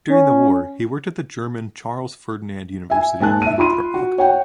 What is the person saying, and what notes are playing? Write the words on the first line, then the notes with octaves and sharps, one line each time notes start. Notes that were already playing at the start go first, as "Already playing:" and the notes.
During the War, he worked at the German Charles-Ferdinand University in Prague.
C#4
E5 G#5
G#2 A#3 G#5 A5 F#6
E5 D#7
F4 B5 C6 D#7
F#4
C#5 F#5 G5